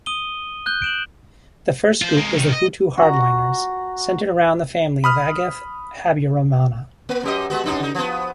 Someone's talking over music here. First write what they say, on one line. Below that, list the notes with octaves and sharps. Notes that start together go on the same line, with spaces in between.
The first group was the Hutu hardliners, centred around the family of Agathe Habyarimana.
D#6 D#7 G7
F#6 G6 G7
D7 E7 F#7
F4 C5
G#3 A#3
C2 D#3
D#5
F#4 A#5
B5 D#6 F6
A#3
F#2 G4 D#5
G#3 B3 F#4
F#2 D4 D#4
C#3 D#4
F3 B3